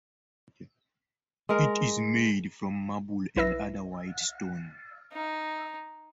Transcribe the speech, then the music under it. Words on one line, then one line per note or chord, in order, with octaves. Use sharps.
It is made from marble and other white stone.
G#3 A#4
B1 E4 B4 E5 E6 A#6
D#4